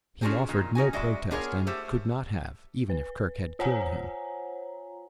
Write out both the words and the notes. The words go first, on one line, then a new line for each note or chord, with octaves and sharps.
He offered no protest and could not have even if Kerk had killed him.
C#4 D4 F4 F#4 G#4 C5
A#2 D#3
C#4 D#4 F#4 G#5
G#3 F#4 D5 E5
B3 D4 F4 G#4 A#4 C#5
A3 G4 C5
B4
F4 C5 C#5 F#5 G#5 A#5